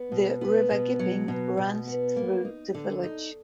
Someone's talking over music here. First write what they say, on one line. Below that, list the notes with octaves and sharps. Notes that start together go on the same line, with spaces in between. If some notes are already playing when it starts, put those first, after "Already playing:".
The River Gipping runs through the village.
Already playing: B3
B2
B3
B2
F#3
B2
B2
B3
A#3
D#4
D3
D#4